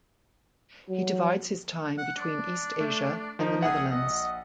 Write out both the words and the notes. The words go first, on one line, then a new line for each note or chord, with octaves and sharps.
He divides his time between East Asia and the Netherlands.
F#3
F#5
D4
A3
F3 D#4
A#1 G#4 F#5
D#5